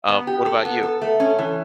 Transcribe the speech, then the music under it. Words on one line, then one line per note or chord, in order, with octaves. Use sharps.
Um, what about you?
B3
G4
A4
B3
A4
A3
C#4
E3